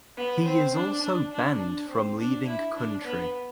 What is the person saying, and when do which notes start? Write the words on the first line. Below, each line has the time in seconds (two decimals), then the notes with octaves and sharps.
He is also banned from leaving country.
0.17 B3
0.45 C4
0.75 D4
1.02 D4
1.32 D4
1.60 D4
1.89 C4
2.18 D4
2.47 E4
2.74 D4
3.04 B3